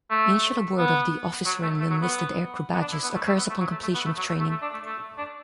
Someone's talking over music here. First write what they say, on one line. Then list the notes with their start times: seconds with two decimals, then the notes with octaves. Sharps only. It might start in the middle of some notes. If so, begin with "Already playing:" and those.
Initial award of the Officer and Enlisted Aircrew Badges occurs upon completion of training.
0.10 A3
0.78 B3
1.45 F#3
1.62 A3
1.80 A3
1.90 F#3
2.01 B3
2.73 B3
2.81 D4
2.92 E4
3.03 B3
3.15 A3
3.27 A3
3.38 B3
3.49 A3
3.60 F#3
3.71 A3
3.82 A3
3.94 B3
4.05 A3
4.17 F#3
4.28 A3
4.40 A3
4.50 A3
4.62 D4
4.73 A3
4.85 A3
5.18 D4